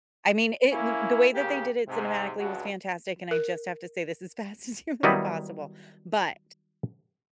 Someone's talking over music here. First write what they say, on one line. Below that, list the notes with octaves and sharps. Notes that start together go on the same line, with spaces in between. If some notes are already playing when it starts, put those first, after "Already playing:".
I mean, it th the way that they did it cinematically was fantastic, and I just have to say this as fast as humanly possible, but
A#3 C#4 E4
C#3 A#3 G4
G#2 C3
C#2 G2 F#4
A#4
D#3 F#3 G3 B3 D#4 E4